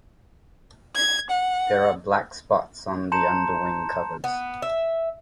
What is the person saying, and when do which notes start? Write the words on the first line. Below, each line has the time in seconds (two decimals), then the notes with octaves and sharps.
There are black spots on the underwing covers.
0.96 G#6
1.30 F#5
3.12 A5 A#5 C6 G6 C#7 E7
4.24 B3
4.62 E5